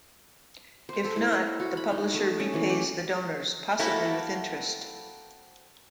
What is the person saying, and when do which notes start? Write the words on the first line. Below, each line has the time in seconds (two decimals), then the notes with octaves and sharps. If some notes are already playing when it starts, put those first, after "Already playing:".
If not, the publisher repays the donors, possibly with interest.
0.89 C5
1.05 A4
1.16 E4
1.32 E5
1.60 F#4
1.77 B5
1.91 D#4
2.14 A3
2.40 C#4
2.54 E3
2.70 G4
3.79 A#3 C4 E4 F#4 A4 E5